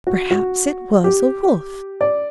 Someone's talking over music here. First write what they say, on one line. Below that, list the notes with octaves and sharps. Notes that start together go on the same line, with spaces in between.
Perhaps it was a wolf.
F#4
F#4
G4
D5